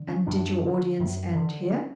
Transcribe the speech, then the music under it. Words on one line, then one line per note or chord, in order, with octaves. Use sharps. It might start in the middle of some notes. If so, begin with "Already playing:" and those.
'And did your audience end here?'
Already playing: D3
C#4
F#2 D4
D3
F#2
D3
C#4